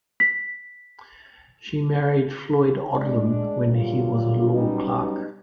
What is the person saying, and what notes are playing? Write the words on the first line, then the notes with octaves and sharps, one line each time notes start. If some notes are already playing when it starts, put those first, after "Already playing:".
She married Floyd Odlum when he was a law clerk.
B6
G#3 D4
D2 D3 F#3 G3 A#3 F4
F#3 G3 B3 C#4 D#4